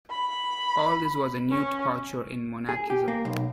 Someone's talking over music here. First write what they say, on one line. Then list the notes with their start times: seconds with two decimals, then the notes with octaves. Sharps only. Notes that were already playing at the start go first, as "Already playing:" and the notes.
All this was a new departure in monachism.
0.10 B5
1.51 C#4
2.69 G#4
2.90 G4
3.08 A#3
3.25 B1